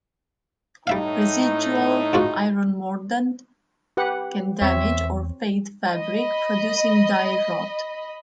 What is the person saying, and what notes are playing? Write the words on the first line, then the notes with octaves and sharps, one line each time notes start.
Residual iron mordant can damage or fade fabric, producing "dye rot".
A2 G3 D#4 E5 F5
G#2 F4 F#4
G4 B4 F#5
E2 C4 C#5 E5
D#5 B5